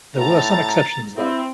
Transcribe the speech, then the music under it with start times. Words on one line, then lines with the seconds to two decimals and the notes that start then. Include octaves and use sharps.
There were some exceptions though.
0.17 A2 A#5 A6
1.17 C4 E4